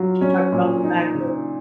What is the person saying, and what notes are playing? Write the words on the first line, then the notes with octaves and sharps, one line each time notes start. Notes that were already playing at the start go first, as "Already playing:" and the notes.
she talked about the fact that
Already playing: F#3 F4
C#4
A#2
D#4
C#3